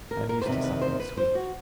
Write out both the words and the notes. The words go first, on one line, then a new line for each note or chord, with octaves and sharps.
I am used to something sweet.
A#4
A#4
C5
E2 C3 D#3 B4
B4
C5
B4
C5
F#4